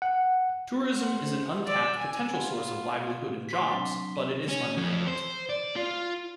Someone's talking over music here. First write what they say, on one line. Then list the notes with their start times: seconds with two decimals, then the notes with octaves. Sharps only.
Tourism is an untapped potential source of livelihood and jobs but it is undeveloped.
0.02 F#5
0.96 C5 F#5
1.65 D5 E6
1.98 G#5
2.34 B3 F4
3.49 C6 B6
3.69 F#3 C4 D4
4.49 C#4
4.77 F2
5.07 C5
5.49 D5
5.76 F4